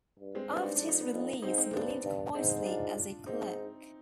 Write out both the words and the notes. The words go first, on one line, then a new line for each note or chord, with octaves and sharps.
After his release he lived quietly as a clerk.
G2
G#3 C4
G2 D4
D#4
D4
F2
D#4
B3 D4
F2
G#2 C4 D#4
C4 D#4
G2 B3 D4
G2
G#2 C4 D#4
D4 F4
G#2 C4 D#4
C4 D#4